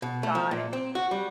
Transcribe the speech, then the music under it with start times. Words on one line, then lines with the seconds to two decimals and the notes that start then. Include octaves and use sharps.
Got it.
0.02 B2
0.23 A3
0.35 F3
0.51 A#2
0.73 C4
0.95 F#4
1.11 G3